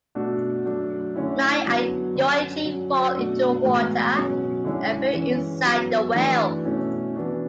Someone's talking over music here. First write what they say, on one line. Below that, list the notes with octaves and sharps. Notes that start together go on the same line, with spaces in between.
Mai and Yoichi fall into the water, appearing inside the well.
B2 A3 D4 F#4
F#3 A3 D4
D3 A3 C#4 E4
D3 F#3 B3
D3 F#3 C#4
D3 F#3 C#4
B2 A3 D4 F#4
A2 E3 G#3 B3 F#4
B2 F#3 C#4 F#4
D3 G#3 C#4 E4
E3 G#3 C#4
F#3 B3 F#4
E3 A3 D4 F#4
B2 A3 C#4 E4
E3 B3 D4 F#4